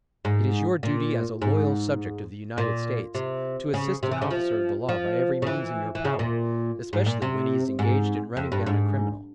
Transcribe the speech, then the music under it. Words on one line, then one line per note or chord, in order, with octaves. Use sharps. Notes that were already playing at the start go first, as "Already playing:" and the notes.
It is your duty, as a loyal subject of the United States, to assist an officer of the law by every means in your power, especially when he is engaged in running down a criminal.
G#2
A#2
G#2
A#2
C3
C#3
C3
E3
C#3
F3
F3
C#3
E3
E3
C#3
A#2
G#2
A#2
C3
G#2
F2
G2
G#2